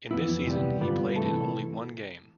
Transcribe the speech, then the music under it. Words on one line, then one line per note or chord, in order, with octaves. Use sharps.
In this season he played in only one game.
F2 E3 B3 E4
D2 C3 E3 G3 B3
G2 D3 G3 B3 F4
C3 E3 A3 E4 A4